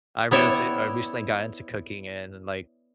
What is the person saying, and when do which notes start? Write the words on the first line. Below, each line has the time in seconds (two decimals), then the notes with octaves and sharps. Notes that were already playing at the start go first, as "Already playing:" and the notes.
I rece I recently got into cooking and like,
0.31 B3 E4 C#5 D5 E5 G5